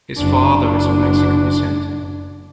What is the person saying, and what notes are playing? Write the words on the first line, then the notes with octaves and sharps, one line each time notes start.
His father is of Mexican descent.
F#1 D4